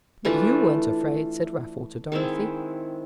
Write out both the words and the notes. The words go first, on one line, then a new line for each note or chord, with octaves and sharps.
"But you weren't afraid," said Raffle to Dorothy.
E3 A3 D4 F4
D#3 G#3 C4 E4